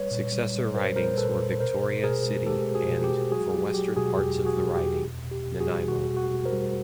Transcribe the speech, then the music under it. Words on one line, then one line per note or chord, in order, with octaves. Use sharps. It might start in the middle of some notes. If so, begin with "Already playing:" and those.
Successor ridings were Victoria City and, for western parts of the riding, Nanaimo.
Already playing: G3 B4 C#5
A#2
G3
G3
G3 A#4 C5
A#2 A#4 C5
A#2 A4 B4
A#2
B2 A#4 C5
B2
B2 G#4 A#4
G#3
G#3 G4 A4
G#3
F#4 G#4
B2
G4
G#3
F#3 F#4 G#4
F#3 G4
F#3 G4
B2 F#4 G#4
E2 G4
B2
F#4 G#4
B2
G4
E2
B2
B2
G4
B2
F#4 G#4
G3
B2 F#4
B2
F#4
B2
A#4 C5
G3